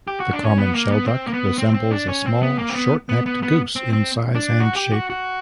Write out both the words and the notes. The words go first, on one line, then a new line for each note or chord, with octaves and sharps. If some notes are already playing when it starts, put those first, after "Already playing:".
The common shelduck resembles a small short-necked goose in size and shape.
G4
F#4
D4
C#4
B3
A#3
B3
C4
A#3
B3
C4
C4
D4
C#4
C4
B3
A#3
C4
B3
B3
B3
B3
C4
C4
D4
F#4
G4
F#4
F#4